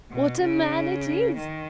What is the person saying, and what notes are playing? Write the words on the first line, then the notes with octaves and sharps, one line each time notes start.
What a man it is!
B2
C#3
D#3